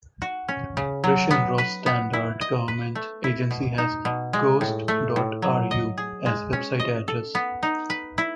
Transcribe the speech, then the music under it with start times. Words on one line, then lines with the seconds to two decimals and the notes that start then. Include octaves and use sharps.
Russian Rosstandart government agency has "gost dot ru" as website address.
0.22 F#4
0.49 C#4
0.77 C#3
1.04 F#3
1.31 B3
1.58 B4
1.86 B3
2.13 E4
2.41 D#5
2.68 B4
2.95 A3
3.24 E4
3.51 B2
3.78 D#4
4.05 B2
4.33 G#3
4.61 A2
4.88 A3
5.16 A2
5.42 F#3
5.71 D#5
5.98 G#4
6.26 G#3
6.53 C#4
6.80 D#5
7.08 A4
7.35 B3
7.63 D#4
7.90 B4
8.18 E4